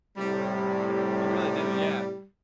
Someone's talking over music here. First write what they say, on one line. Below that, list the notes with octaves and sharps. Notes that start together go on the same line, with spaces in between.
You really do, yeah.
A2 C3 G3